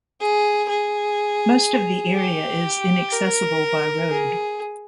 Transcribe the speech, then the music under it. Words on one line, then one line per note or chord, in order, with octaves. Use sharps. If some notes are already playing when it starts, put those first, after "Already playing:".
Most of the area is inaccessible by road.
G#4
G#4
G4
A#4
G#4